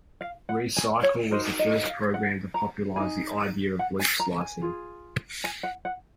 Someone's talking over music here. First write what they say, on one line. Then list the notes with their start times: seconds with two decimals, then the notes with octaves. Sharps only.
ReCycle was the first program to popularize the idea of loop slicing.
0.21 F5
0.49 F#5
0.77 G#5
1.03 C#5
1.31 D#4 F#4 A#4 C5
1.59 D#5
1.87 F5
2.14 F#5
2.54 A#5
2.96 G#4 G#5
3.00 D#4
3.79 F#5
3.99 G#5
4.20 A#5
4.40 G#5
4.61 F4 G#4
5.44 G#5
5.63 F#5
5.85 F#5